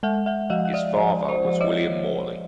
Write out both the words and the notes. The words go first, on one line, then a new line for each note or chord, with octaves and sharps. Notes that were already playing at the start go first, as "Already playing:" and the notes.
His father was William Morley.
G#3 E5 F#5
E5 F#5
F3 D#5 F5
F5
D5 E5
F3
C5 D5
F3
C#5 D#5